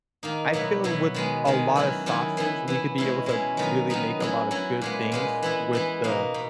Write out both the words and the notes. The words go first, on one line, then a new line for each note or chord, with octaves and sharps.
I feel with a lot of sauces we could be able to really make a lot of good things with the
D#3 A#3 D#4
B2 F#3 B3 E4
B2 F#3 B3 E4
D#3 G#3 B3
D#3 G#3 B3
D#3 F#3 C#4 E4
D#3 F#3 C#4 E4
E3 B3 E4
E3 B3 E4
B2 G#3 C#4 E4
B2 G#3 C#4 E4
D#3 F#3 B3 D#4
D#3 F#3 B3 D#4
F#3 C#4 E4
F#3 C#4 E4
A#2 G#3 B3
A#2 G#3 B3
E3 B3 E4
E3 B3 E4
B2 A#3 D#4
B2